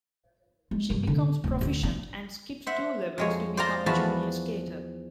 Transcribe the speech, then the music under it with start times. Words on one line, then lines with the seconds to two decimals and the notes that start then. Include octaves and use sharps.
She becomes proficient and skips two levels to become a junior skater.
0.71 G#3
0.90 G2
1.07 D3
1.44 D1
1.61 D2
1.83 D4
2.67 C5 E5 F#5
3.18 F2 G#3 C#5
3.57 C5 D5 F5 G5 A#5 C6
3.86 E2 F3 F#4 B4 A5